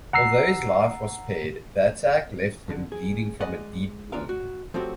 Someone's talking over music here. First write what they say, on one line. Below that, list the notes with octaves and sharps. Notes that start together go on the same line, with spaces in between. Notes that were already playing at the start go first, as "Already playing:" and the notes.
Although his life was spared, the attack left him bleeding from a deep wound.
F#5 A#5 E6 C7
G2 D3
G#4
G#3 D5 D#5 F#5
B1 E2 D4 F4 A#4 F5
F#4
F3 F#3 A3 C4 F#4 G4